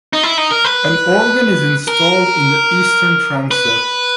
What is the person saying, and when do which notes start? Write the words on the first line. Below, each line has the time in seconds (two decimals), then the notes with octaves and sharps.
An organ is installed in the eastern transept.
0.13 D#4
0.23 E4
0.38 D#4
0.51 A#4
0.64 B4
1.88 A#4
3.51 B4